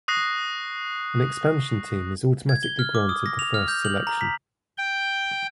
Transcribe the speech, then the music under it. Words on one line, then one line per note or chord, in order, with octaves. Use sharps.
An expansion team is automatically granted the first selection.
C#6 D#6 F#6 A#6 C7
G#6
G7
F6
D6
D#6
A#6
F7
F6
G6
F#7
A#5
B6
G5